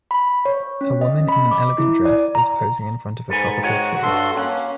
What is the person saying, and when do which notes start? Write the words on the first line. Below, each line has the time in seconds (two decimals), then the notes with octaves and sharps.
A woman in an elegant dress is posing in front of a tropical tree.
0.11 B5
0.45 C#5
0.81 C#4
1.01 D#5
1.28 B5
1.51 D6
1.78 E4
2.05 D5
2.35 A#5
3.29 G#2 A4 B4 G#5
3.63 F#4 C#5 D#5 G5
4.03 G2 A4 C6
4.37 A#3 C#4 F#5